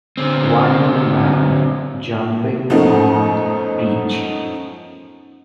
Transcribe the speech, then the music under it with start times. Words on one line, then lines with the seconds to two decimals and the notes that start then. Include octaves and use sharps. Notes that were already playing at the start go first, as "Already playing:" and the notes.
One man jumping on beach.
0.18 D3 C4
2.70 F#2 F3 A3 B3 C#4 D#4